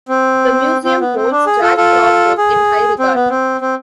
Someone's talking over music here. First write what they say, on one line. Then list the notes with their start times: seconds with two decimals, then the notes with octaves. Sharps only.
The Museum holds Jack Crawford in high regard.
0.09 C4
0.85 C4
1.01 B3
1.16 C4
1.31 D4
1.46 G#4
1.61 F4 A4
1.77 F4 A4
2.38 G#4
2.99 C4
3.15 B3
3.30 C4
3.61 C4